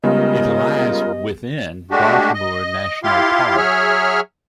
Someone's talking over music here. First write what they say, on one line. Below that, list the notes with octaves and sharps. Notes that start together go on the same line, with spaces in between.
It lies within Dartmoor National Park.
C#3 G3 G#3 B3 F4 G4 A#4 D#5
G#3 A3 D4 F#4 G4
D#5
E4 F4 G4 F5 C6
F#3 G#4 C#5 E5 F6